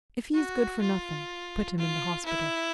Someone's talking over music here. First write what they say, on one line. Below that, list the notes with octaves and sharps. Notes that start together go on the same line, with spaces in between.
If he is good for nothing, put him in the hospital.
F#4
F4
F4
E4